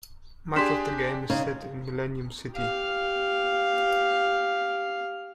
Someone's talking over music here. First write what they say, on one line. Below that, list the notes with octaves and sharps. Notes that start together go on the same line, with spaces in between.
Much of the game is set in Millennium City.
D4 G4 G#4 C6 B6 E7
C#3 D#4 C#5
G4 F5